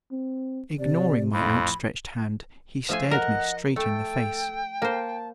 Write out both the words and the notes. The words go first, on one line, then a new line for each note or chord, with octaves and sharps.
Ignoring my outstretched hand, he stared me straight in the face.
C4
C3 D5
F2 A2 B5
F3 A3 E5 F5 G#5
A#4 D#5 F#5
A3 A4 G5
A#3 C5 A5